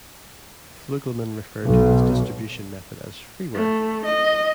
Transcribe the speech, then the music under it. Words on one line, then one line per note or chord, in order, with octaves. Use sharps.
Fluegelman referred to this distribution method as "freeware".
B1
A3
D#5